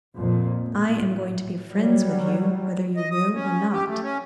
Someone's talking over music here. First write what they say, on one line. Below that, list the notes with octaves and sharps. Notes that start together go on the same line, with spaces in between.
I am going to be friends with you whether you will or not.
F2 A#2
A2
F#3 G3
D#5
D#6
C#4
G4
A3
C#4